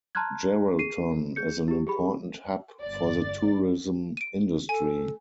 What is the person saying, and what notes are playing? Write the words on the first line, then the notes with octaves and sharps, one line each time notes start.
Geraldton is an important hub for the tourism industry.
A5 A#5 C6 F6 F#6 G#6
G#4 C7 D#7
G#4 G6 C#7
E4 G4
G4 G#4 B5
G1 D5 A6
D7 D#7
A4 G#5